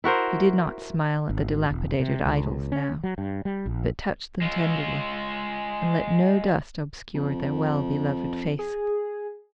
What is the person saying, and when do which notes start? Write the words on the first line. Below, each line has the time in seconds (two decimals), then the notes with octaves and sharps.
She did not smile at the dilapidated idols now, but touched them tenderly, and let no dust obscure their well-beloved faces.
0.04 E4 F#4 A#4 C5
1.29 G#1
1.70 E1
2.00 C3
2.26 C#2
2.72 C#4
3.03 F#3
3.18 G2
3.45 G3
3.66 A#1
4.42 G#3 F4
7.15 F2
8.59 G#4